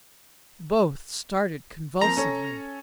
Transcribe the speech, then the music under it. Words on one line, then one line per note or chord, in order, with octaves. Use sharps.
Both started convulsively.
F3 A#3 C4 A#5
C#4 A4 C#5